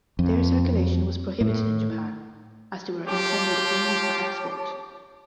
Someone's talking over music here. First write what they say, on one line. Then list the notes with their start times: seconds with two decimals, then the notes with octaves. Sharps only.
Their circulation was prohibited in Japan, as they were intended only for export.
0.19 F2
1.41 A2
3.07 F4 G4 C#5 A5 D6